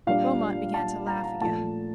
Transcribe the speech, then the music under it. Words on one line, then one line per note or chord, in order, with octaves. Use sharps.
Beaumont began to laugh again.
A#2 G3 D4 F5
A5
A#5
A#5
A#2 F3 A3 A5